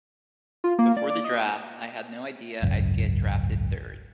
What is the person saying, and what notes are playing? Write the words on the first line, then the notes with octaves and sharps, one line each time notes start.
Before the draft, I had no idea I'd get drafted third.
F4
A#3
D5
D5
D#5
G#1 C#2 F#2